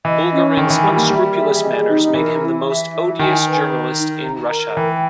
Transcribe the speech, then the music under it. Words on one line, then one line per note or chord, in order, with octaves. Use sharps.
Bulgarin's unscrupulous manners made him the most odious journalist in Russia.
E3 D#5
C#4
D#3 G#5
E3
G3 A#4
A#3
G3 E5
G#4
D#5
D#4
E3 A#4
E4
E5
E4
D#3 G#5
B4
A#4
D#4
A#5
A#4
E3 G5